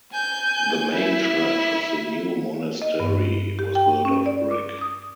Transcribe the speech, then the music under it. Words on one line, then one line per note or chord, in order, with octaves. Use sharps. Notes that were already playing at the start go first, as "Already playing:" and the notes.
The main church of the new monastery was built of brick.
G#5 G6
E4
D#5
G2
G4
G5
C#4
D5
D6
D#6